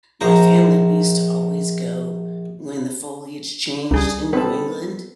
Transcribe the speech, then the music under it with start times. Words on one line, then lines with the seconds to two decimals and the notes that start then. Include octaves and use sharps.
my family we used to always go when the foliage changed in New England,
0.21 A#1 C5 A#5
3.91 C#2 G3 G#4
4.33 B3 C4 A4 B4